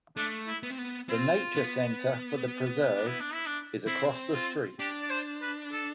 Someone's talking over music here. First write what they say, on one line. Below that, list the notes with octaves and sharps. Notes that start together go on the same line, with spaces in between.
The nature center for the Preserve is across the street.
A3 D4
E4
B3
C4
B3
C4 F4
B3
D4
E4
D4
E4
D4
C4 E4
F4
D4 G4
D5
C5
B4
A4